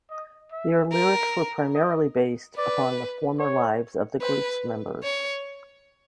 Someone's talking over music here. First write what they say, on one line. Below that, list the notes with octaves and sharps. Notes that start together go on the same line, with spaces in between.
Their lyrics were primarily based upon the former lives of the group's members.
D#5
E5
A#4
D#5
B4 D5
C#5
B4 C5
C#5